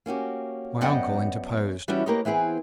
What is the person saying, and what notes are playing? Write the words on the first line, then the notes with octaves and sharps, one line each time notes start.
My uncle interposed.
A#3 C#4 F#4 G4
F#2 B3 D5 D#5 F#5 G5
E3 G3 C#4 E4 F#4
A#3 G4 A#4 B4 C#5 D#5
E3 B3 C4 G#4 B4